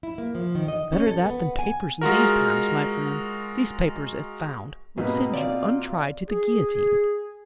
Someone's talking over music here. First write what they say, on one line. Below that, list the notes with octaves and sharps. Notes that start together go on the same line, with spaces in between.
"Better that than papers in these times, my friend: these papers, if found, would send you, untried, to the guillotine."
E4
A#3
F3
D#3
D#5
C#4
A4
B3
G#5
G#3 F4 F#4 A#4
G#2 B2 A#3 C4 D#4 B4
F4 D5
G#4